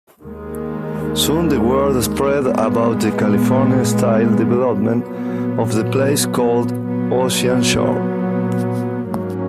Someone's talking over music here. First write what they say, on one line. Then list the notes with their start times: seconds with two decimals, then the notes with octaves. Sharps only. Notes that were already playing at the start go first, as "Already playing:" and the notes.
Soon the word spread about the California-style development of the place called Ocean Shores.
0.21 D#2 D#3 G#3
2.43 A#2 G#3 B3
4.65 A#2 F#3 B3
6.88 A#2 F#3 B3
9.10 G#2 F#3 A#3 C#4